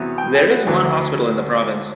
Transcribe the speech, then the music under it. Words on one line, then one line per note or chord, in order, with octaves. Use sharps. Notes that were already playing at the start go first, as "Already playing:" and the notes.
There is one hospital in the province.
Already playing: E2 C3 F#3 B3
G5
G5
F#5
D2 D3 F#3